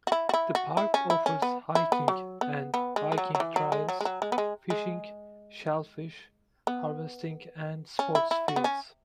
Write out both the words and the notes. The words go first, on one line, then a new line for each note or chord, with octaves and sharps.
The park offers hiking and biking trails, fishing, shellfish harvesting, and sports fields.
F#4
E4
F#4
E4
F#4
E4
C#4
E4
C#4
B3
E4
B3
F#3
B3
B3
G#3
G#3
F#3
F#3
E3
F#3
G#3
F#3
G#3
F#3
G#3
B3
G#3
G#3
B3
C#4
E4
E4
F#4
B3
C#4